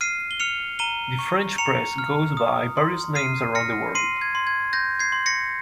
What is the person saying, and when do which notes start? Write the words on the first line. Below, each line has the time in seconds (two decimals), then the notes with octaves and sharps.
The French press goes by various names around the world.
0.01 F6 C7 D#7
0.31 G7
0.40 F6 C#7 F7
0.79 A#5 D#7 G7
1.19 C#6
1.58 A#5 C#7 F7
1.98 F6
2.37 D#6
2.77 C6
3.15 F6 C7 D#7
3.55 F6 A#6 C#7
3.95 C6 C7 D#7
4.21 G#6
4.35 C6
4.47 G#6
4.73 C6 G6 A#6
4.99 G#6 C7
5.12 C6
5.26 A#6 C#7